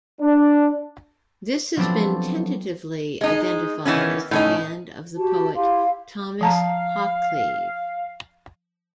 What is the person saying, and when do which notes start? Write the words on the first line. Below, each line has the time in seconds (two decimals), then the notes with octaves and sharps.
This has been tentatively identified as the hand of the poet Thomas Hoccleve.
0.20 D4
1.77 F3 F#3 B3 C4 D4 A4
3.21 G#3 D#4
3.85 D#3 E3 B3 C#4
4.31 A2 C#4 D#4
5.15 F#4 G4 A5
5.55 E4 G4 F5 C6
6.41 F3 F5 A5 A#5